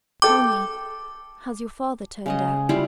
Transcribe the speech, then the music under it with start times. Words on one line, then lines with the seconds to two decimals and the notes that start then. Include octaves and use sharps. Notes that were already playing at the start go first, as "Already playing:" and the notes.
Tell me, has your father turned out?'
0.22 A4 G5 D6
2.26 C#3 G#3 D#5
2.69 G3 E4 F4